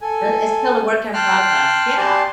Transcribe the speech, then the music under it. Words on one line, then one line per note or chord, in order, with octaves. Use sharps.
But it's still a work in progress, yeah,
A4 G#5
G5 A5 C6 F6 F#6
G4 D5 G#5 A5 C6